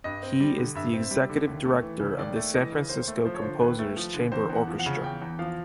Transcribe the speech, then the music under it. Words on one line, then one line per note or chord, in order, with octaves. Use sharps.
He is the Executive Director of the San Francisco Composers Chamber Orchestra.
G2 D#5
C4
G3
D3
G2 E5
C4
G3
D3
D#2
A3
E3
C#3
D#2 D5
A3
E3 D#5
C#3
D#2 C5
A3
F3 C5
C#5
D3 C5
D#2 B4
A3
F3
D3
E2 C5
E2
F#5
F3
F#5
C#3
E2 G5
E2
F3 F5